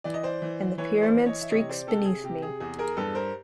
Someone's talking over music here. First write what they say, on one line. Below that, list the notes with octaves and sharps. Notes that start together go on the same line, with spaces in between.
And the pyramid streaks beneath me.
E3 D5
D#5
C5 D5
E3
E3 B4 C#5
C5 D5
E3
C#5 D#5
E5
C3 C#5 D#5
C5 D5
C3 G4 A4
G#4
C3 G4
G#4
E2 G#4
G#4 A#4
G2 A4 B4
A#4 C5